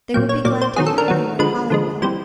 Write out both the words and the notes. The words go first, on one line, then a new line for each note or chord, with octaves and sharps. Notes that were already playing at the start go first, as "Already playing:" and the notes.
They will be glad to hear of you at Hollywell.
A#2 F#3 A#3 G5
C#5
A#2 F#3 A#3 D5
C5
D#3 F#3 B3 G#4
A4
A#4
D#3 F#3 B3
D3 F3 G#3 B4
D3 F3 G#3
E3 G3 C4 C5